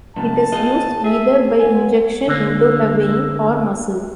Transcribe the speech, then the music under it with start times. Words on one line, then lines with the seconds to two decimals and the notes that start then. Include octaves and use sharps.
It is used either by injection into a vein or muscle.
0.16 F#2 A#2 C#3 A5
0.52 F4 G#4 D#5
1.04 G#4 E5
1.59 B3 G#5
2.28 D3 A#3